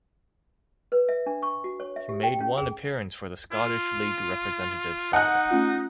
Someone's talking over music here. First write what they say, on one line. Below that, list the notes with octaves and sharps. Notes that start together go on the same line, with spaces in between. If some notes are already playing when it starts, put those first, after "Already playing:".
He made one appearance for the Scottish League representative side.
B4
E5
D4
C#6
F#4
C#5
E5
G4
G5
C#4
G#4
F4
D#4 D#5 F#5 G#5 A5 F#6
A3 C#4 F4